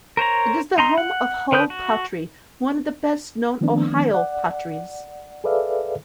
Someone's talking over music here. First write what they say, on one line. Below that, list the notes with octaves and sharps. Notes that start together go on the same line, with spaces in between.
It is the home of Hull pottery, one of the best known Ohio potteries.
A#4 C5 C#5 A#5
D#4 A#5 C6
F#5
D3 A#4 B4 D#6 G6
F#4
D#3 F3 A3 B3 C4 D4
D5 F#5
G#4 A4 B4 D5 E5 F5